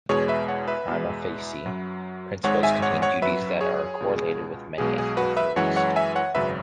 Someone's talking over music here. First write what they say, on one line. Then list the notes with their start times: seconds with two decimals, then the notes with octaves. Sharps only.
"Prima facie" principles contain duties that are correlated with many ethical theories.
0.09 E2 B2 G#3 G#4 C#5
0.28 B4 E5
0.48 C#5 F#5
0.68 B4 E5
0.88 E2 B2 G#3
1.66 F#2 F#3
2.43 G#1 G#2 G#3 C#5 F#5
2.63 E5 G#5
2.82 C#5 F#5
3.02 C#5 F#5
3.22 F#2 F#3 B4 E5
3.61 G#4 C#5
4.00 C#2 B2 G#3
4.78 B1 B2 G#3 G#4
4.98 G#4
5.17 F#4 B4
5.37 B4 E5
5.56 F#2 E3 G#3 C#5 F#5
5.76 C#5 F#5
5.96 E5 G#5
6.15 C#5 F#5
6.35 G#1 F#2 C#3 F#3 B4 E5